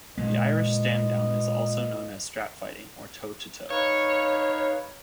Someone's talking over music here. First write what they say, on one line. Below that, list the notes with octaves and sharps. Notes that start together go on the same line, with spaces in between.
The Irish stand down is also known as strap fighting or toe to toe.
A#2 G#3 A#3 F4 B4 D#5
D#4 B4 C#5 F5